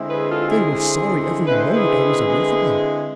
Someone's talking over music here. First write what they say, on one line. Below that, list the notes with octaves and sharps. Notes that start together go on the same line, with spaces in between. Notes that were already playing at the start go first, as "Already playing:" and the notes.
They were sorry every moment I was away from them.
Already playing: D3 G#3 C4 E4
G#4 B4
F4 A4
E4 G#4
D3 G#3 C4 E4
D3 G#3 C4 E4 B4
C5
G#4 B4
D3 G#3 C4 E4